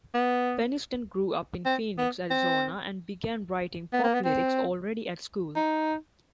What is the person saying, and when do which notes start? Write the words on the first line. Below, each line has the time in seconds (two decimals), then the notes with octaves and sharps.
Peniston grew up in Phoenix, Arizona and began writing pop lyrics already at school.
0.14 B3
1.66 C4
1.98 B3
2.31 C4
3.93 B3
4.04 A#3
4.14 B3
4.25 C4
5.56 D#4